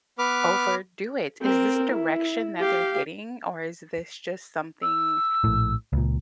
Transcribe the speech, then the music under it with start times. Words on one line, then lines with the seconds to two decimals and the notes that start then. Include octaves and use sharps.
overdo it. Is this direction that they're getting, or is this just something
0.19 B3 B4 D6 F6
1.42 C4 A#4
1.92 E4
2.60 G4 F5
4.82 E6
5.44 A#1 A2
5.93 C#2 A#2